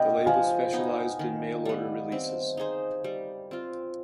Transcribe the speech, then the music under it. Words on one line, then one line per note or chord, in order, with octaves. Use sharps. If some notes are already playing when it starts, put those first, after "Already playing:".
The label specialized in mail order releases.
Already playing: B2 B3 D4 D#5 G5
F3 F5 G#5
B3 D#4
D#3
G3 B3
C4
D#4 G#4 C5
G3
C4 F4